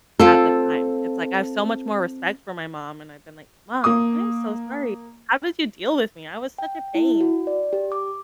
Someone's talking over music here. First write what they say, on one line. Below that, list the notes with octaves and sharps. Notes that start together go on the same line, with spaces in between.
at the time. It's like, I have so much more respect for my mom, and I've been like, "Mom, I am so sorry, how did you deal with me? I was such a pain."
C4 F4 A4
A#3 D#6
G5
E4
F#4
D5
G4
D6